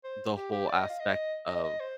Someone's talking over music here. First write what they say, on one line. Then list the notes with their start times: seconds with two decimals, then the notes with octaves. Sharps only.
the whole aspect of
0.04 C5
0.36 G4
0.52 G4
0.68 D5
0.79 D#5
0.90 F5
1.00 D#5
1.48 D#5
1.64 D#5
1.80 C5